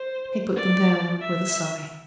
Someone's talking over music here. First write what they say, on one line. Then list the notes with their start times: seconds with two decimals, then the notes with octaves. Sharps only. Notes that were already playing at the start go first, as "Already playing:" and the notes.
He put them down with a sigh.
Already playing: C5
0.56 D5
1.22 E5